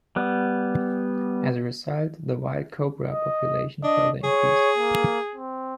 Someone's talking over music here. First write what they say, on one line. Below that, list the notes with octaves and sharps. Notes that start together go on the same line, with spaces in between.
As a result, the wild cobra population further increased.
G3 B3
D#5
D4 D#5
G#4 C#5
A#3
C4